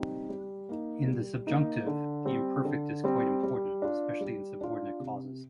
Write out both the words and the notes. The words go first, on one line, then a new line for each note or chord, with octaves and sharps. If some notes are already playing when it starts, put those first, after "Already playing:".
In the subjunctive, the imperfect is quite important, especially in subordinate clauses.
Already playing: G3 C4 D#4
G3
A#3 D#4
G3
A#3 D#4
D3
G3 C4
D3
G3 C4
G3
D4 F4
G3
D4 F4
C3